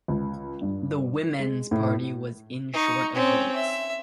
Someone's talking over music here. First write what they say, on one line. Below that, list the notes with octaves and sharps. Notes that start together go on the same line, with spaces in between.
The Women's Party was in short of votes.
C#2
G2
G#3
A2
D#4 C#6
C4 C#4
E5